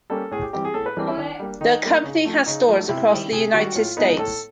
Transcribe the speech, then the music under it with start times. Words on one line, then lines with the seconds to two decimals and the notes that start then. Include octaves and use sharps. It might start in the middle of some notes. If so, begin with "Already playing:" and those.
The company has stores across the United States.
0.10 G3 A#3 C#4 A4
0.31 A2 G#4
0.42 G4
0.53 E3 G3 C4 G4
0.65 G#4
0.74 A2 A4
0.86 B4
0.96 E3 G3 C4 A#4
1.07 E4
1.17 D#3 D4
1.40 G3 A#3
1.61 D#3 D#4
1.83 G3 A#3
2.04 C#3
2.25 F3 A3
2.46 C#3 D#4
2.68 F3 A3
2.89 C3 E4
3.11 D#3 G3
3.32 C3 G#4
3.53 D#3 G3 F#4
3.75 A2 F4
3.97 F3 G#3 B3 D#4
4.18 A2 A4